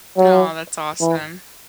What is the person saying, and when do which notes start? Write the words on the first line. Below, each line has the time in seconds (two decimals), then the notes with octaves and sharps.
Aw, that's awesome.
0.17 F#3
1.01 E3